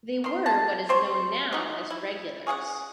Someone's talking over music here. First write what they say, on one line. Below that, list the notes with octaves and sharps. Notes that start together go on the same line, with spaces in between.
They were what is known now as "regulars".
D#3 C6
A5
C4 C5 C#5
F#3 D#4
E4
C#4 G#4 F5 F#5